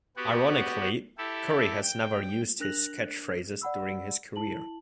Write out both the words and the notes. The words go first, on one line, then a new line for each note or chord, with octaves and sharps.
Ironically, Curry has never used catchphrases during his career.
B3 F#4 G4
E4 G4 A4
G5
D4 A#4 F#6 A#6 F7 F#7
D5 F#5 B5 E6
E4 A5 F#7